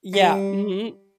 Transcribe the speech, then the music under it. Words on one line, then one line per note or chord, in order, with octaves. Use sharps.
Yeah. Mhm.
G3